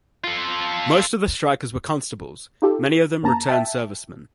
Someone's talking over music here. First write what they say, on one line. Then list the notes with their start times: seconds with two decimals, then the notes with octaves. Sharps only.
Most of the strikers were constables, many of them returned servicemen.
0.24 F4 A4
2.62 D#4 F4 G4 A4
3.23 F#2 A#3 A5 A#5
3.49 E5 G5 A5